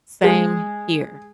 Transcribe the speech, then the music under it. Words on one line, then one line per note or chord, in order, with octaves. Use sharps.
Same h here.
G#3